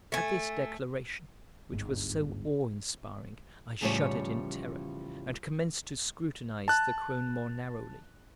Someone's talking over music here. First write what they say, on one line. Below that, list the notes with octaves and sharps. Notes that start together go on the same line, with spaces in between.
At this declaration, which was so awe-inspiring, I shuddered in terror, and commenced to scrutinize the crone more narrowly.
A3 G#5
D1 G1 G#2 G#3
E2 A2 C#3 F3 G3 C#5
A5 F#6